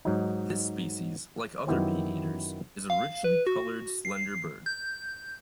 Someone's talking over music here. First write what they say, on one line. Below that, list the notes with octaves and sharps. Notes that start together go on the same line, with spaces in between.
This species, like other bee-eaters, is a richly-coloured, slender bird.
G#2 F#3 D#4
F#2 D#3 B3 E4 G4 C5
F5
B4
F#4
C7
G6